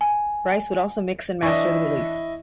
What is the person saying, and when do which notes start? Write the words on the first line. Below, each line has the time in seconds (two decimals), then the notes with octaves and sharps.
Bryce would also mix and master the release.
0.01 G#5
1.42 E3 D4 E4 D#5 C#6